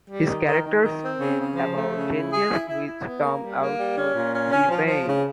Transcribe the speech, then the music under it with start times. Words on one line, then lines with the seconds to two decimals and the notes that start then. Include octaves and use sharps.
His characters dream about changes which come out to be vain.
0.09 G3
0.27 D#3
0.47 D#3
0.64 D#3
0.82 D#3
1.02 C4
1.19 C#3
1.38 C#3
1.56 F3
1.75 A3
1.94 C#3
2.12 E4
2.30 G#4
2.49 E4
2.66 E4
2.84 E4
3.04 B3
3.21 A#3
3.40 G3
3.58 A#3
3.77 G3
3.94 C#4
4.13 A#2
4.32 C#4
4.50 C#4
4.69 F3
4.86 F3
5.05 C#3